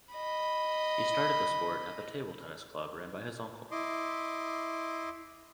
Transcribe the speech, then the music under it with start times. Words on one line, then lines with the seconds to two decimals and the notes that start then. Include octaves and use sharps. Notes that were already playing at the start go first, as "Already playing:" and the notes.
He started the sport at the table tennis club ran by his uncle.
0.13 D#5 B5
3.71 E4 D#5 C6 D6